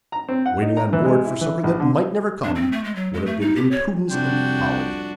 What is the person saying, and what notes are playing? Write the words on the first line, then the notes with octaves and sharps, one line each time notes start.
Waiting on board for succor that might never come, would have been imprudence and folly.
A#5
C4
F#5
D#4
A#5
E3
G#3
E4
E3
A#1
D3
D4
C4
A3
G#3
F#3
G#3
A3
D#4
G4
C#5
F1 C3 G3 D4 F#4 G5 C6